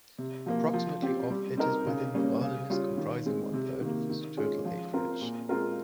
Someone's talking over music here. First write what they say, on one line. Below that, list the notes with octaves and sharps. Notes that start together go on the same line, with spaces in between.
Approximately of it is within the wilderness, comprising one-third of its total acreage.
C3
F3 A#3
F3
C4 G4
G3
C4 D#4 A#4
C#3
G3 A#3 C#4
C#3
G3 C#4 F4
D#3
G#3 C4
C3
D#3 A#3
D#3
G#3 C#4 F4 G#4
F3
C4 F4 A#4
A#2
G#3 C4 F4 A#4